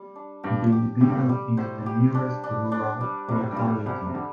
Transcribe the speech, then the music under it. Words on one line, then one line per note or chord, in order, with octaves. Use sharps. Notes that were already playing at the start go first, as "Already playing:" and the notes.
Bilibino is the nearest rural locality.
Already playing: G3
D4
G2 G4
G4
A2 G4
G2
A2
G3
A2 C5
G4
D4
D4
D4
G3
C3 G3
A2
G2 G3
A2
C2 C3 G3
C3
D3 G4